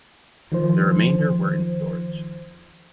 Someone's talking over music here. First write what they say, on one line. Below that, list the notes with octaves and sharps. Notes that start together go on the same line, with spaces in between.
The remainder were in storage.
D#3 F3 C5